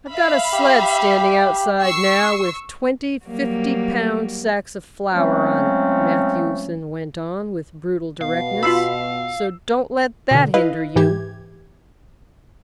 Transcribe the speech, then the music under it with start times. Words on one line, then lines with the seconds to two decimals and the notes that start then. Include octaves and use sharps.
"I've got a sled standing outside now, with twenty fiftypound sacks of flour on it," Matthewson went on with brutal directness; "so don't let that hinder you."
0.12 E5 F5 B5
0.53 G4
1.81 C#6 E6 C7
3.25 F#3 G3 A#3
5.12 F3 F#3 G#3 A3 C4 C#4
8.21 B2 F5
8.63 F4 B5 E6 C7
10.31 B2 D3
10.54 E4 B4 D#5 F5
10.96 G#2 E3 G4 G#6